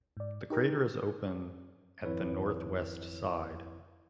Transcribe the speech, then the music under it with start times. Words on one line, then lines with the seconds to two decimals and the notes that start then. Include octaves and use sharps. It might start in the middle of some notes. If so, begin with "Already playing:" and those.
The crater is open at the northwest side.
0.17 G#2 D5
0.50 D#4 G4 A#4 A#5
2.05 G#1 F2 E4 B4 C#5